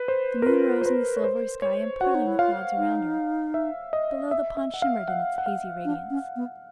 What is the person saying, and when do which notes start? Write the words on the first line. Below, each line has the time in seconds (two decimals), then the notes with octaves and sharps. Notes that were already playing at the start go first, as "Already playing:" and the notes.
The moon rose in the silvery sky, empearling the clouds around her. Below, the pond shimmered in its hazy radiance.
Already playing: B4
0.08 C5
0.42 A#4
0.47 F4 B4
0.82 C5
0.86 B4
1.17 C#5
1.24 C5
1.62 C#5
2.01 F#4 F#5
2.15 D#4
2.27 E4
2.39 F4 F5
2.77 D#4
3.54 E5
3.93 D#5
4.31 E5
4.57 E5
4.74 F#5
4.82 F5
5.08 F#5
5.38 F#5
5.46 F5
5.85 D4
6.10 C#4
6.36 B3